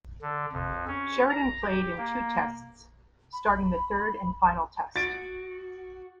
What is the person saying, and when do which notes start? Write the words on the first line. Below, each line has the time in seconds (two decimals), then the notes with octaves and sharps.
Sheridan played in two Tests, starting the third and final Test.
0.22 D3
0.52 F2
0.87 C#4
1.29 A#5
1.62 G4
1.98 A#3
3.33 B5
4.96 F#4 A6 D7